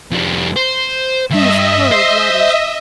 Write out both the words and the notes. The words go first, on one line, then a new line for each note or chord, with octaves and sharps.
These horrid ladders.
F2 G3
C5
D2 G2 D#5 E5
C5